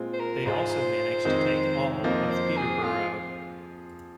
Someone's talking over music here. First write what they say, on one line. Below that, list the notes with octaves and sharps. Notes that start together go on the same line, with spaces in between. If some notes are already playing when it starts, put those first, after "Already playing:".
They also managed to take all of Peterborough.
Already playing: A#2 G#3 C4 F4
C5
A#4
G#2 G#3 F4 G#4 C5
F2 D#3 G#3 D#4
F2 F3 A#3 D#5
C5
G#4
F3 C4 F4 G#4